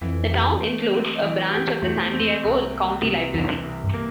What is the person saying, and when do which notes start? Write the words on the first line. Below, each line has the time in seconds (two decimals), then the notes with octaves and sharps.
The town includes a branch of the San Diego County Library.
0.01 F2 E3
0.31 G4
0.61 A3
0.92 C4
1.22 E3
1.53 G4
1.82 E2 A3
2.13 C4
2.43 C2
2.73 A#3
3.03 C3
3.34 E2 E3
3.64 C2
3.84 G2
3.93 A#3